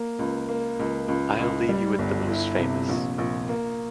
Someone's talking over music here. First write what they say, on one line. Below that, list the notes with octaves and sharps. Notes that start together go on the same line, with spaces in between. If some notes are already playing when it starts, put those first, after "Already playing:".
I’ll leave you with the most famous.
Already playing: A#3
C#2
A#3
C#2
C#2
C#2
G3
G1
E4
C3
A#1
A#1
A#3